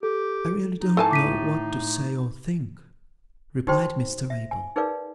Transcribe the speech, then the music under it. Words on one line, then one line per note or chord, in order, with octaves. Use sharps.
I really don't know what to say or think,' replied Mr Abel.
G4 A4
D#4
A2 A4 G#5 A5
D6 B6 D#7
D#4 F#4 G4 C5 G5 C6
E5
G#5
D#4 G#4 A#4 B4 D5 F5